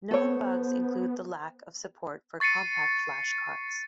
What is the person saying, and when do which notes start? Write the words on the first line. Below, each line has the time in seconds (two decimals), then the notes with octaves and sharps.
Known bugs include the lack of support for CompactFlash cards.
0.11 B3 A4 C5 C#5
2.40 C#6 A6 C7 C#7 D#7